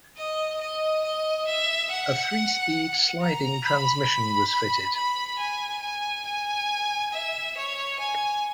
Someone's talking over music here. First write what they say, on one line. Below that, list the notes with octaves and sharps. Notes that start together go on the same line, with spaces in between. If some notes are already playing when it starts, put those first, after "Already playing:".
A three-speed sliding transmission was fitted.
D#5
D#5
D#5
E5
F#5
A#5
B5
B5
B5
G#5
G#5
G#5
E5
C#5
G#5